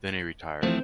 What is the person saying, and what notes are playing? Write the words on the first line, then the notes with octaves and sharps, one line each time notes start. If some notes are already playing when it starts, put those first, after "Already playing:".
Then he retired.
E3 F3 A3 C4